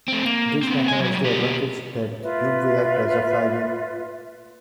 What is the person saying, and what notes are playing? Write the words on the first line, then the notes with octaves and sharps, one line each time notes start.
This method has the advantage that the tube will act as a flywheel.
A3 C4
A#3
B3 C4
D#5 G#5
F#3 G3
B3 G4
F4 B4 E5